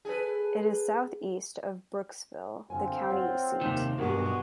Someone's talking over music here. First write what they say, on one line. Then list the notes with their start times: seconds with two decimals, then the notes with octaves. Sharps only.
It is southeast of Brooksville, the county seat.
0.05 G#4 A4 B4
2.70 D3 C4 F4 G#5
3.10 C#5 F#5
3.61 D#2 C3 D#3 A#3 A5
3.99 B1 G2 B2 G#3 F#4 G4 A#4